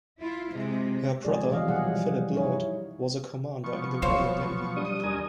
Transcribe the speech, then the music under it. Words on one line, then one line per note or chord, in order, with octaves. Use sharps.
Her brother, Philip Lloyd, was a Commander in the Royal Navy.
E4 F4
C3 G#3
C3 F3 G#3 G#4 D5
B2 E3 F#3 G3 D#5 F5
F#3 G3 G#4 F#5
F3 G3
G3 D#4 E4 G#4 C#5
B2 F3 C#6
E3 F#3 F4 C5 C#5
G3 D4 D#6
D#2 A#4 G#5